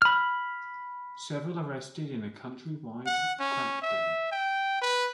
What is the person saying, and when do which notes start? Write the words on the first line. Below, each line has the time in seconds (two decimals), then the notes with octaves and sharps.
Several arrested in a countrywide crackdown.
0.02 B5 F6
3.06 F#5
3.40 C#4
3.82 E5
4.32 G5
4.82 B4